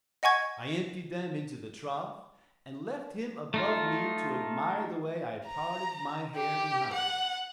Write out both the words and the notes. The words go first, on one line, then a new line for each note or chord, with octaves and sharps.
I emptied them into the trough, and left him above me to admire the way I parted my hair behind.
D#5 F#5 G#5 C#6 G#6
A3 D#4 F4
A#5
G4
F#5